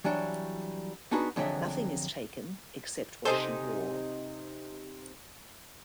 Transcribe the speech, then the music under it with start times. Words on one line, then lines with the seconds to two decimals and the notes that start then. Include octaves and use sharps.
Nothing is taken except what she wore.
0.04 E3 F#3 G3 D4 F#4
1.11 B3 D4 D#4 F#4 G#4 B4
1.36 F2 D3 F#3 G#4 E5
3.25 C3 D#4 A4 C5 G#5 G6